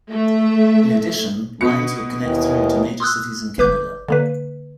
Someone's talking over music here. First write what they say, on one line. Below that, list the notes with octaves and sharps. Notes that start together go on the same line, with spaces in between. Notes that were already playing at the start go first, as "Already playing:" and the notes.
In addition, lines would connect through to major cities in Canada.
A3 E5
B2 C#7
D#2 D#3 E3
C6 D#6 E6 F#6
G1 B4 D6 G6
D3 A#3 B4